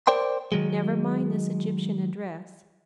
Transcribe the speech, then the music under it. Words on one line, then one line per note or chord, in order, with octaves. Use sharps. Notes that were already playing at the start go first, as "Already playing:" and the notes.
Never mind this Egyptian address.
A#4 C5 D5 G5 C6
D#3 F#3 G#3